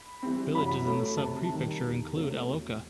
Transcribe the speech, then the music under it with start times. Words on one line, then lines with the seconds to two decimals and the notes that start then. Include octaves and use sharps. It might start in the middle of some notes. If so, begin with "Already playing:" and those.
Villages in the sub-prefecture include Eloka.
Already playing: B5
0.23 E3 G3 C4
0.55 F#2 B5
0.86 F#3 A3
1.17 C3 A5
1.49 D#3 G3
1.80 E2
2.12 C3 F#3 A3
2.43 E2